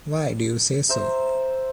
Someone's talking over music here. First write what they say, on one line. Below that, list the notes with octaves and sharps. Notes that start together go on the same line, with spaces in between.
Why do you say so?
C5 E5 A#5